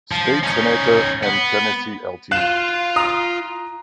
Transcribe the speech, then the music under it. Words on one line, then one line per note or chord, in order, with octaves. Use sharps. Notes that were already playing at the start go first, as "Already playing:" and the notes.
State Senator and Tennessee Lt.
F3
C#4 D#4
B3
F4 F5 F#6 E7
A#5 D#6